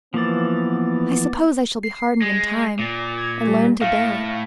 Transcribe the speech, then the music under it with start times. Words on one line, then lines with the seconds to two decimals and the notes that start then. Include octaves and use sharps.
I suppose I shall be hardened in time, and learn to bear it.
0.14 E3 F3 A#3 B3 D6 A6
1.83 C7
2.22 G#3
2.79 A#2
3.18 G#6
3.48 G3
3.82 A2 A3 F5